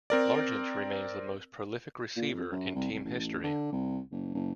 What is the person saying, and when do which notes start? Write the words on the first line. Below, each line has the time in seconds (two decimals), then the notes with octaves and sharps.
Largent remains the most prolific receiver in team history.
0.10 C4 A#4 D5
2.16 A#2
2.33 F2
2.52 F#2
2.75 C2
2.92 C2
3.04 A1
3.44 D3
3.72 C2
4.12 F#1
4.35 F#1